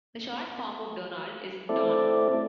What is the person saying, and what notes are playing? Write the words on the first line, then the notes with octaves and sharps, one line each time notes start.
A short form of "Donald" is "Don".
A3 C4 E4 A4 D5